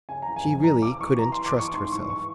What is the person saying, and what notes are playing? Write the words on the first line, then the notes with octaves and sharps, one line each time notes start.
She really couldn't trust herself.
C#3 G#5
A#5
E3
G#5
F2
C#3 A#5
E3 D6
E3 C#6
E3 A#5
C6
E3
D6
E3 C#6
G#2 C6
E3 C#6
E3 C#6